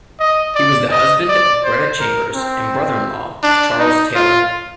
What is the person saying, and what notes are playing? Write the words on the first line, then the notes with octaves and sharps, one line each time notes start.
He was the husband of Gretta Chambers and brother-in-law of Charles Taylor.
D#5
D5
D#5
D5
C5
A#4
C4
D4
D#4
F4